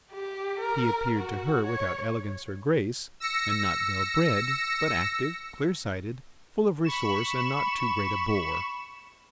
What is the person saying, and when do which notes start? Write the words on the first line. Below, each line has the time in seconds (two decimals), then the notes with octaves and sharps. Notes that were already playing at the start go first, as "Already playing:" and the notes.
He appeared to her without elegance or grace, and not well bred, but active, clear-sighted, full of resource, and not too great a bore.
0.11 G4
0.60 A#4
1.17 F#4
1.65 C#5
3.20 E6 A#6 C#7
6.84 B5 C#6 E7